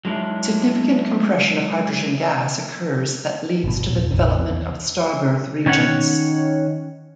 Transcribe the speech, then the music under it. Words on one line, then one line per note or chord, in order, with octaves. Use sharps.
Significant compression of hydrogen gas occurs that leads to the development of starbirth regions.
F#3 G#3 D4 E4
G1 B2
D#1
F1 A#1
E2
D#3 C#4 C#5 F#5